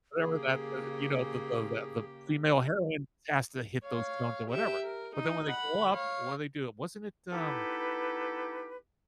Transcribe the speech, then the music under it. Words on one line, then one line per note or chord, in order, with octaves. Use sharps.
whatever that, uh, you know, the the the the female heroine has to hit those notes or whatever. But then when they grow up, what do they do? Wasn't it, um,
C#3 A#3 G4 G#4
C#5 F5
G4 E5
A#4
D#4
F#5 B5
C#5 F5
B3 D#4 E4 G4 A4 B4